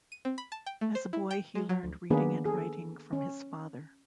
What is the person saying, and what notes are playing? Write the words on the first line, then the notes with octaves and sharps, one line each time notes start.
As a boy, he learned reading and writing from his father.
D#7
C4
B5
A5
G5
A3
C5
E4
G5
G#3
F#3
D2
D#3 A#3 B3 D4 G#4 B4
G#4 A4
C#4